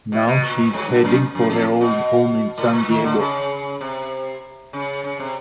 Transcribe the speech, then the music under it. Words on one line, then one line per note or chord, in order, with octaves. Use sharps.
Now she is heading for her old home in San Diego.
B2
B2
A#2
A#2
G#2
G2
F#2
F#2
F2
B2
A2
A#2
D#3
D3
C#3
C3
C#3
C#3
C3